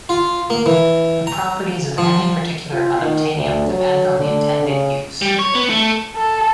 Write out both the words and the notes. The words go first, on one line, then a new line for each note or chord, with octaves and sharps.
The properties of any particular unobtainium depend on the intended use.
F4
A#3
E3
A#5
F3
F4
D#3
D2
F#3
D3
C#3
G3
C#5
B3
A3
A4